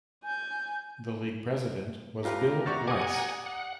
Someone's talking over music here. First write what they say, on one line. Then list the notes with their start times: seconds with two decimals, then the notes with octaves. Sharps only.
The league president was Bill Weiss.
0.24 G#5 G6
2.23 A3 F4 G4 B4 A#5
2.66 C3 F#4 D5 C#6 A6
2.87 F#5 G#5 D6 D#6
3.46 F#5